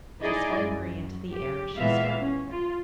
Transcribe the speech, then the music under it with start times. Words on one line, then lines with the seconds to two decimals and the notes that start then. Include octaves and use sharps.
She swung Marie into the air as she spoke.
0.22 D#4 E4 G#4 D5 D#5
0.62 F#2
1.29 G4
1.77 A#2 E3 G#3 B3 E5 F5
2.19 C#4
2.51 F4